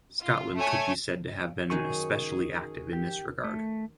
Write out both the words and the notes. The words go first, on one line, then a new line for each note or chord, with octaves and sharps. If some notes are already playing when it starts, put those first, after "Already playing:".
Scotland could be said to have been especially active in this regard.
F4
A3 C#5 G#5
F#2 D#3 F#3 G#4 G#5 C#6
G4
A3